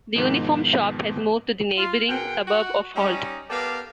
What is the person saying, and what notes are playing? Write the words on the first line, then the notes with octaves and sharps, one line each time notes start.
The Uniform Shop has moved to the neighbouring suburb of Holt.
G#2 B2 D#3 F3 B3
F4
B2 G#4 A#4 F#5 G5
F#4 F#5
G3 C#4 D#4
B3 G4 A4 A#4 D5 F5